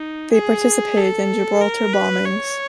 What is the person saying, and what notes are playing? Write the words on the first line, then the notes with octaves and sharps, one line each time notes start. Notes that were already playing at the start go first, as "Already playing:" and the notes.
They participated in Gibraltar bombings.
Already playing: D#4
G#4
A4
A#4
B4
C#5